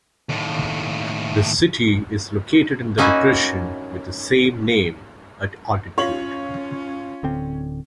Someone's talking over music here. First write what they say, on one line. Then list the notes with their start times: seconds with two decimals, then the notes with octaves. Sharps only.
The city is located in the depression with the same name, at altitude.
0.30 D#2 A2
2.98 A#3 C#4 D#4 E4 F#4
5.98 C#4 F4 C#5 F#7
7.23 D1 D3 C4